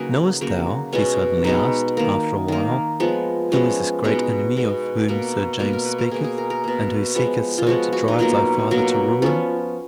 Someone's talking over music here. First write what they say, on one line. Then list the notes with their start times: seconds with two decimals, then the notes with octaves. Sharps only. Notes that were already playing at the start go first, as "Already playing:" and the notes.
"Knowest thou," he suddenly asked, after a while, "who is this great enemy of whom Sir James speaketh, and who seeketh so to drive thy father to ruin?"
Already playing: C#3 F#3 A#3 D#4 F#4 G#4 B4
0.41 C#3 F#3 A#3
0.93 B2 G#3 B3 C#4
1.44 B2 G#3 B3 D#4
1.97 D#3 A#3
2.48 D#3 A#3
3.00 F3 G#3 B3
3.52 F3 G#3 B3 C#4
4.04 B2 G#3 B3 D#4
4.57 B2 G#3 B3
5.08 B2 A#3
5.59 B2 A#3 B4
5.73 A#4
5.85 B4
5.98 A#4
6.11 B2 A#3 G#4
6.24 G#4
6.38 A#4
6.50 A#4
6.64 B2 A#3
7.15 F3 G#3 B3
7.58 F4
7.67 F3 G#3 B3 F#4
7.93 F#4
8.08 D#4
8.19 B2 F#3 A#3 F4
8.71 B2 F#3 A#3
9.22 F3 B3 C#4